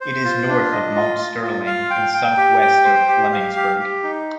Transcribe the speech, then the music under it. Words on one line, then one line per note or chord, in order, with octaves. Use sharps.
It is north of Mount Sterling and southwest of Flemingsburg.
C5
F4
D4
D#5
F4
F4
F4
F5
G5
G5
G4
G5
C5
G4
F5
G4
G4
D#4